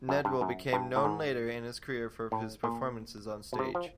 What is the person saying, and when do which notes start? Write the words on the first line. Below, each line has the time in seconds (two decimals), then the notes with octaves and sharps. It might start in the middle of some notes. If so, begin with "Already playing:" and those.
Nedwell became known later in his career for his performances on stage.
0.09 F#2
0.25 G2
0.41 F#2
0.73 G2
0.96 A2
1.05 G#2
2.32 A2
2.64 A#2
3.53 B2
3.59 C3
3.75 F3